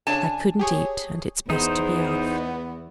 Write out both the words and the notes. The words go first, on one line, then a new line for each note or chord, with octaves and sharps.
I couldn't eat, and it's best to be off.
C#3 D4 G#5 A5
G4 G#4 C#5
E2 B3 D#4 G#4 C5